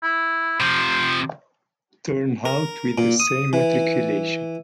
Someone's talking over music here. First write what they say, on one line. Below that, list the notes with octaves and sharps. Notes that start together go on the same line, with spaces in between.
Turnhout with the same matriculation.
E4
C3 F3 C5
A#4
A#2
D#6
E3